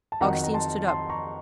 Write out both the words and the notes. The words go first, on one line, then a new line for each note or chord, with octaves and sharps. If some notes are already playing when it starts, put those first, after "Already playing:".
Augustine stood up.
A5
F2 D#3 F#3 F#5 A#5
A#5
A5 C6
A5 C6
A#5 C#6